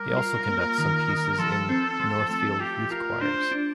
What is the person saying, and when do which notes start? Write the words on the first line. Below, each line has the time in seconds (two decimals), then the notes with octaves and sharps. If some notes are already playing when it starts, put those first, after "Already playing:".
He also conducts some pieces in "Northfield Youth Choirs".
Already playing: G3 A#4
0.17 F4
0.48 A#3
0.78 D#3
1.08 D#3
1.38 F3 A4
1.69 C4
2.00 F3
2.30 A3
2.60 F4 G4
2.91 F4 A#4
3.21 D4 C5
3.52 D4